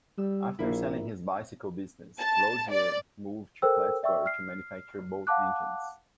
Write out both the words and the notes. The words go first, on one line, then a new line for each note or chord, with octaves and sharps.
After selling his bicycle business, Lozier moved to Plattsburgh to manufacture boat engines.
G3 E6
A#1 A#3 E4
A5
D5
A4 A#4 C5 G5 E6
D5 E5 G5 C#6 E6
F6 C7
F5 F#5 A5 D6 F#6